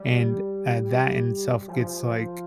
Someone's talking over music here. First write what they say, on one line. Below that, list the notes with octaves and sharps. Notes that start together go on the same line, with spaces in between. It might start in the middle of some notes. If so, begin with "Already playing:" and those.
And, uh, that in itself gets, like,
Already playing: G3
F3